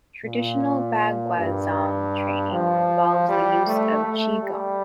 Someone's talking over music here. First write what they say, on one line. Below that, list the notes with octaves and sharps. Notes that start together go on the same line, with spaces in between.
Traditional Baguazhang training involves the use of qinggong.
A#2
G2
F3
G3
A3
A3
G3